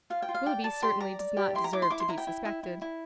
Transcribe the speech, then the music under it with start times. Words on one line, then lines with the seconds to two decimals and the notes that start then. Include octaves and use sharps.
Willoughby certainly does not deserve to be suspected.
0.10 F4 F5
0.22 G5
0.29 F4
0.34 F5
0.46 D5 G5
0.64 D5 A5
0.82 G4 C6
1.00 D5 A#5
1.19 D5
1.37 G4
1.55 E4 C6
1.64 A#5
1.73 E4 D6
1.82 C6
1.90 E4 D6
2.00 C6
2.09 E4 A#5
2.18 G5
2.27 E4
2.45 E4
2.63 E4
2.82 E4